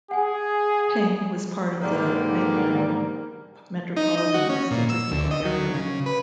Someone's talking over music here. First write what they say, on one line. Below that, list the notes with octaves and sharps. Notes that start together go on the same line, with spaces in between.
Payne was part of the Macon Metropolitan Statistical Area.
G#4 F#5 G#5
G#2 B2 D3 D#3 G3 A#3
D#4
D#5
F#4
C#4
A#2
E6
D2
D#5
F#3
C#3
B4